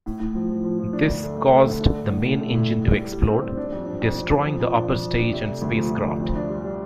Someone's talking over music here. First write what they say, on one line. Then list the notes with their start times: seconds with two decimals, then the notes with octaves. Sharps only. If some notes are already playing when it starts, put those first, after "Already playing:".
This caused the main engine to explode, destroying the upper stage and spacecraft.
0.06 A2
0.20 A2
0.35 F3
0.50 F3
0.64 F3
0.79 F3
0.93 D4
1.08 D2
1.23 A3
1.37 A3
1.52 A3
1.67 D3
1.81 D4
1.96 A3
2.11 A2
2.26 A2
2.40 A3
2.54 A2
2.69 A2
2.84 G3
2.98 A2
3.13 G3
3.28 C4
3.43 G3
3.57 D4
3.72 F2
3.86 D4
4.01 F2
4.15 F2
4.30 F2
4.46 F3
4.60 F2
4.74 D4
4.89 F3
5.04 F3
5.18 D4
5.33 C3
5.48 A3
5.62 D2
5.77 F3
5.91 F3
6.06 D2
6.20 F2
6.36 D4
6.50 G3
6.64 G3